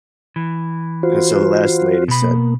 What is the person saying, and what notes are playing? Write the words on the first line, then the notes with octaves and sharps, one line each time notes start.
And so the last lady said
E3
F4 F#4 C5
B2 B5
A#3